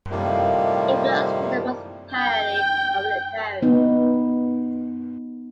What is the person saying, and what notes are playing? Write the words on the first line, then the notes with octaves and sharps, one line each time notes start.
It belongs to the municipality of Lipari.
A2 C3 D#3 F3 G3 A#3
G5 G6
B3 D#4